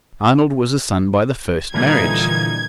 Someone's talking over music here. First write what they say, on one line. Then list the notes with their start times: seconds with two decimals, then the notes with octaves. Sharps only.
Arnold was a son by the first marriage.
1.73 A#2 D3 E3 F3 G3 D#4 G#6